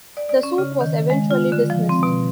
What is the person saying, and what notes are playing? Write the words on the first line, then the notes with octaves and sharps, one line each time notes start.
The suit was eventually dismissed.
D5
D5
C#4
C#3
D#3
G#3
F4
D3
F3
C4
B2